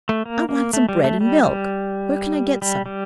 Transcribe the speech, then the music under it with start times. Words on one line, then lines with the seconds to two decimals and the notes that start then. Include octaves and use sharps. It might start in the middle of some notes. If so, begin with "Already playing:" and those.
"I want some bread and milk. Where can I get some?"
0.09 A3
0.26 A#3
0.49 A#3
0.73 A3
0.89 G3
1.04 A3
1.21 G3
1.43 G3
2.62 G3
2.86 G3